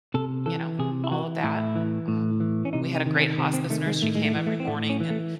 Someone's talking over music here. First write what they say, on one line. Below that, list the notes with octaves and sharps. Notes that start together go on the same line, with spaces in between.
you know, all of that, m um, we had a great hospice nurse. She came every morning, and
C3 A4
E3 A4
C3 G#4
E4
E3 F#4
A2 E4
E3
A2
E3
C#4
C3 D#4
D#4
D#3
C#4
C3 C4
C4
D#3 A3
G#3
A2 A3
G#3
A3
E3
A3
C4
A2 A3
C#4
E3
A3